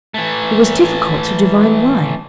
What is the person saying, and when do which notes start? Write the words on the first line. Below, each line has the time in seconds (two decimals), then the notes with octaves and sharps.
It was difficult to divine why.
0.14 E3 A3